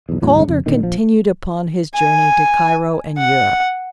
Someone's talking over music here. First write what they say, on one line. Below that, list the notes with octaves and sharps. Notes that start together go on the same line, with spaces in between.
Calder continued upon his journey to Cairo and Europe.
B1 E2
E2 A2 F#3
G1 C2 G#2 C#4
F2 C#3
A#2 D3 D#3
A#1 F3
G#5
F#5